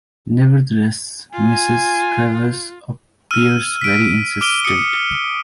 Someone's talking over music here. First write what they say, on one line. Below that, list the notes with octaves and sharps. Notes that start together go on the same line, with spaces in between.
Nevertheless, Mrs. Travers appears very insistent.
F4 G#5
E6 F6 D#7
B6 D7
D6 F6 D7 D#7 G7
D#6 C#7